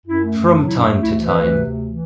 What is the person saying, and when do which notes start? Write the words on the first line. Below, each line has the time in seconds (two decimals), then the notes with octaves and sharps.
From time to time.
0.06 F#2 E4
0.23 A3
0.38 F#2
0.54 F#3 D4
0.66 F#2 E4
0.78 D4
0.86 A3
1.02 D2 E4
1.19 E3
1.26 B4
1.34 D2
1.50 C3
1.66 D2
1.83 E3